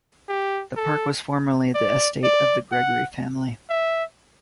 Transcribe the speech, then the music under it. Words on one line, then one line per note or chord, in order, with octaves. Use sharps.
The park was formerly the estate of the Gregory family.
G4
A4
D5
D5
F#5
E5